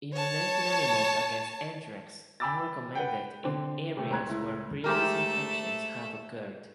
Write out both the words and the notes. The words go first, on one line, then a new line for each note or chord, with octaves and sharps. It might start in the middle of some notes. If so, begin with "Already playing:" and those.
Immunizing animals against anthrax is recommended in areas where previous infections have occurred.
C#5 A5
G5 G#5 B5 D6 E6 A6
B4 F#5 G5
D3 C4
C3 A3
F#1 C#2 C4 A#5 F#6 G#6
C#2 A3 E4
G#2 A3 G4 A#4 E5